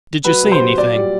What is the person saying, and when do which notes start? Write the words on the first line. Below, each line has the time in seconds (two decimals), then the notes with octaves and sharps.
'Did you see anything?'
0.24 F#3 B4
0.43 C3
0.52 C5
0.61 F#3
0.77 A#2 D5
0.96 G3